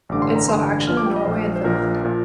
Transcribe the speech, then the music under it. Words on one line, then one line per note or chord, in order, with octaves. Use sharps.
It saw action in Norway and Finland.
A1 G2 D3 D6
C6
A#5
A1 G2 D3 C6
A#1 A#2 F3 F6
D6
G5
D#5
A#1 A#2 F3 C5
C5
A#1 A#2 F3 A#4
A#2 F3